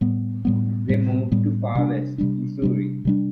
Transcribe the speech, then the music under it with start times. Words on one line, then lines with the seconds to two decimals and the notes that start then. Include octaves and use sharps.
They moved to Far West, Missouri.
0.01 A2 G3 B3
0.45 A2 G3 B3
0.88 A2 G3 B3
1.31 A2 G3 B3
1.75 C3 G3 D4
2.18 C3 G3 D4
2.62 C3 G3 D4
3.05 C3 G3 D4